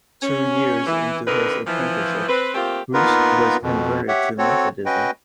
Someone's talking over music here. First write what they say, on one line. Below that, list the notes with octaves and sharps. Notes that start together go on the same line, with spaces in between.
Two years into his apprenticeship Booth was converted to Methodism.
C#4
E3
F2 D3 D#4 A#4 B4
E3 F3
C4 B4
A3 A#3 C4 F4 G4
A#3 B3 D#4 F4 A#4 B4
F2 B2
G4 C#5 E5 F#5
C4 F#4 A4 C#5
C#4 F#4 B4 D#5 G5